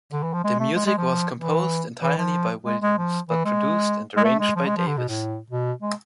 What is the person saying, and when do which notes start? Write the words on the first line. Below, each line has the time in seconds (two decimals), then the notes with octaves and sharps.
The music was composed entirely by Williams but produced and arranged by Davis.
0.12 D3
0.23 E3
0.33 F3
0.44 G#3
0.60 A3
0.76 G#3
0.86 G#3
0.97 F3
1.40 E3
2.03 E3
2.18 F3
2.66 G#3
2.82 G#3
2.98 F3
3.29 E3
3.45 G#3
4.17 G#3
4.24 A3
4.40 G#3
4.56 F3
4.66 G#3
4.77 F3
4.87 D3
4.97 B2
5.08 A2
5.50 B2
5.82 G#3